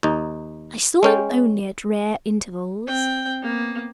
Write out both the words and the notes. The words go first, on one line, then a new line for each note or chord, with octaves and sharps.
I saw him only at rare intervals.
D#2 D#4
G#3 C#4 G5
C4 G5
A#3 B3